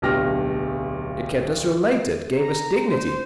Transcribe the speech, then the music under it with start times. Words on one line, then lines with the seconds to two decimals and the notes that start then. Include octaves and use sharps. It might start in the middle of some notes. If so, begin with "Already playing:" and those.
It kept us related--gave us dignity....
0.02 D1 B1 D4 G4 F6 A#6
2.40 A#5
2.85 C5